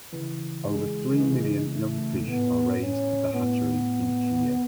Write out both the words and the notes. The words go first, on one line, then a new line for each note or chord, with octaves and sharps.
Over three million young fish are raised at the hatchery each year.
C#3 E3
G#3
D#3
C#3 E3
A3
G#2
A2 B3
C#4
A2 B3
G#2